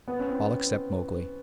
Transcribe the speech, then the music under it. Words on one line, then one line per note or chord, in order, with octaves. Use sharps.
All except Mowgli.
B3
C#4
C4